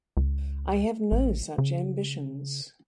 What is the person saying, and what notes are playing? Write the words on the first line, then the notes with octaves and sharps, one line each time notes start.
I have no such ambitions.
C#2
A1
C#3